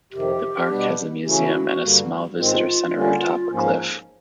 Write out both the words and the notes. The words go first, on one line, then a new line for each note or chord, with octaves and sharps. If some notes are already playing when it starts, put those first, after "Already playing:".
The park has a museum and a small visitor center atop a cliff.
F2 C3 D#3 G4
B2 G3 B3 D4
C#3 E3 A3 C#4 E4 F#4 G4
G2 D3 G3 A#3
G#2 D#3 G#3 C4 F4 F#4
D3 G3 A#3 C#4
G#2 F3 A#3 C#4